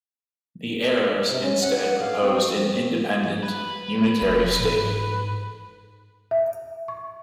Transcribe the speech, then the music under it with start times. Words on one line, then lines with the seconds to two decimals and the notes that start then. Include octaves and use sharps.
The Arabs instead proposed an independent unitary state.
1.30 C3
1.42 C#4
1.62 F#5
2.00 F5
2.23 C4
3.43 B4
4.22 F1
4.59 G#2
6.31 E5
6.88 C#6